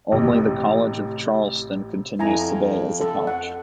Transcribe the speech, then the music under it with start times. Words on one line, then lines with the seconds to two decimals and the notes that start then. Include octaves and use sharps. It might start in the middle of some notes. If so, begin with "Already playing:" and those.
Only the College of Charleston continues today as a college.
0.12 A1 C3
2.19 F2 E4 G#5 A#5
3.01 A4
3.27 F#5